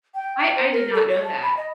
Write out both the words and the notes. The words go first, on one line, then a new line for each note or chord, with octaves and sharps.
I I did not know that.
G5
G5
C5
A#4
A4
C#5
A5
B5
D#5